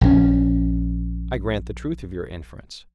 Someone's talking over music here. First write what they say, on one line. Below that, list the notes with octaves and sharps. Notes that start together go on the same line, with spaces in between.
I grant the truth of your inference.
A#1 D3 C#4